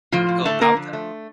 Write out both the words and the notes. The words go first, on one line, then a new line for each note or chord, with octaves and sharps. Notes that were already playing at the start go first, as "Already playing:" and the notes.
go about that.
A2 F3 F4
A2
D3 A3 A4
D3 A#3 A#4
F3
A3